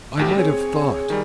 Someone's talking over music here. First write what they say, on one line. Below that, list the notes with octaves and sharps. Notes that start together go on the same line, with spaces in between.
"I might have thought!"
A1 D2 G4
C4 G#4 C#5
D#3 G3